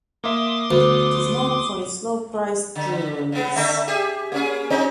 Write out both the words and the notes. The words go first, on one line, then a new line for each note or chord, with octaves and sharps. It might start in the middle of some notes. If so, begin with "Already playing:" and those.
It is known for its low-priced jewelries.
A#3 E5 C6 D6 D#6
D2 B3
D3
C#3 B3
D3 A3 E5
G4 G#4 E5
A#3 C#4 G#4
F#3 C4 D#4